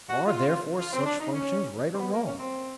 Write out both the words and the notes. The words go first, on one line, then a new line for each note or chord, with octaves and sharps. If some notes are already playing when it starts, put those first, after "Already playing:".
Are, therefore, such functions right or wrong?
F#4
F4
F4
C4
D4
D#4
C#4
C4
B3
A#3
C#4
C4